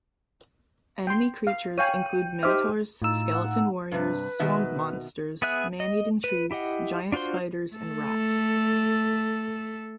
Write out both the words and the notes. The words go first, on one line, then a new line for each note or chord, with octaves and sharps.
Enemy creatures include minotaurs, skeleton warriors, swamp monsters, man-eating trees, giant spiders and rats.
G5 C6
F5
C#5 F5 G5 G#5 G6 D#7
D#4 G4 C5 E5 D6 F6
A2 D#4 F4 D#6 E6
F#5
G2 C3 B4
B2 D#3 E5
B3 G#4 E5 F#6
D#5
B4
E4 G4 D#5 F#5
D4 F4 F#4 C5 C6
A3 A4